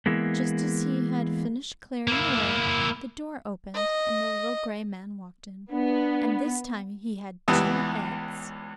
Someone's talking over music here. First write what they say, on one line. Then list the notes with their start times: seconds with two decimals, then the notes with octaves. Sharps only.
Just as he had finished clearing away, the door opened and the little gray man walked in, and this time he had two heads.
0.06 E3 G#3 A#3 B3
2.07 A#3 E4
3.75 D#5
5.72 B3 D4
7.48 C#2 E3 G3 B3 D#6